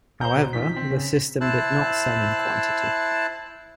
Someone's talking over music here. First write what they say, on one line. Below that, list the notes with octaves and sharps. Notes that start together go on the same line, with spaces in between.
However, the system did not sell in quantity.
C5 A#5 G6
B2
D#3 F3 B6
C4
C#3
E4 C5 A5 E6 F#6